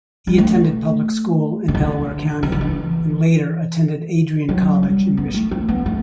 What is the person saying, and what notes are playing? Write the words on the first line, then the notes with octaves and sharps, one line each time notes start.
He attended public school in Delaware County and later attended Adrian College in Michigan.
G3
A3
C3
D3
E3
D3
E3
F#3
G3
B3
A3
C4
B3
A3